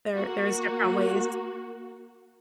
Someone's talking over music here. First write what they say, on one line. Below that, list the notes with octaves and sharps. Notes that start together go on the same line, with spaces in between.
there there's different ways
A#3 F#4